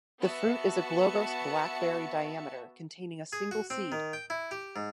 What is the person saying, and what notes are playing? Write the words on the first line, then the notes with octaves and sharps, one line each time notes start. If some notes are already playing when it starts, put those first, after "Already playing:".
The fruit is a globose black berry diameter, containing a single seed.
B3 F#4 E5 A5 C#7
G#4
F#4
C4
D#3
G5
E4
G4
G#2